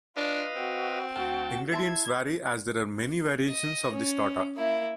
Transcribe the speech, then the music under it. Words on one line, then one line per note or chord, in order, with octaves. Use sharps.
Ingredients vary as there are many variations of this torta.
D4 F4 B4 D#5 F5
C4 F#4
D2 F#4 F5 G5 A5
E4 E5 A5 C6 G#6
D#5
C#4
A#3 E4